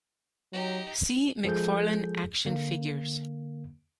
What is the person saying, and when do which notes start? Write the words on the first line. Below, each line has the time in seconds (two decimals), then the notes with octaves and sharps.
See McFarlane Action Figures.
0.53 F#3 D#4 G4
1.44 F3 G#3 G#4 A4 G6
2.45 D3 A#3